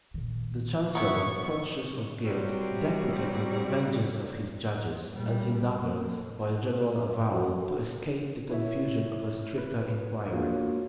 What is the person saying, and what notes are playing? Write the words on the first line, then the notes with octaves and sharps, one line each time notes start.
The chancellor, conscious of guilt, deprecated the vengeance of his judges, and endeavored, by a general avowal, to escape the confusion of a stricter inquiry.
A#2 D#3
B3 E4 C#6
C3 F#3 G3
A#2 G3
A#3
F#4
E4 C#5 E5
B4
G#3 A#3 D4 F4 F#4 C#5